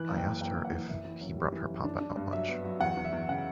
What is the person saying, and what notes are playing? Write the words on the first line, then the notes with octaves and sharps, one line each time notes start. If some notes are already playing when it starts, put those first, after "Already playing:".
I asked her if he brought her papa out much.
Already playing: E3 F#6
F#1
G5
F#1
F#1 G5
F#1
F#5
E3
F#1 E5
E3
F#2
G3
E3
F#2
D4
D4
G2
F#3 E5
B3
F#3
E2 F#5
E2
E5
E2
C#3 F#5